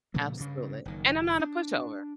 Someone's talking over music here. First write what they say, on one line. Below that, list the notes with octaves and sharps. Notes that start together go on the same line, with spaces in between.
Absolutely, and I'm not a pushover.
A#2 C#3 F3 A3
G2 C#3
F#1 D#3
D4